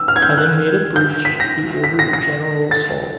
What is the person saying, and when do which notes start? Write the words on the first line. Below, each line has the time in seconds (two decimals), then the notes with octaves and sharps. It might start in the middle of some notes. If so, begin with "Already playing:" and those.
Having made a breach, he ordered a general assault.
Already playing: E6
0.08 F6
0.16 G#6
0.22 G6
0.38 F#6
0.96 G6
1.25 B6
1.40 A#6
1.84 B6
1.99 A#6
2.13 A#6
2.71 A6